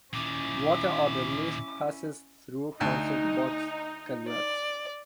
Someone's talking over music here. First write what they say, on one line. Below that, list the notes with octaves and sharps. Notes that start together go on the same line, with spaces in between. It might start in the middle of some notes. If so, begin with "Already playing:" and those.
Water underneath passes through concrete box culverts.
A#2 D#3 C#4 E4 D6
D2 D#4
D5